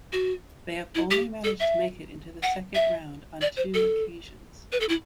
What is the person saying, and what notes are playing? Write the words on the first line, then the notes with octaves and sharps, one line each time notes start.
They have only managed to make it into the second round on two occasions.
F#4
E4
G4
A4
E5
F#5
E5
D5
C5
A4
B4
A4
E4